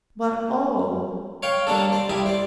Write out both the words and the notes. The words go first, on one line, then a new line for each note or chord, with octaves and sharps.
But oh!
C#5 F5 G5
G3 A#3 D4 A4
C5 D5
G3 E4 G4 D#6
C5 D5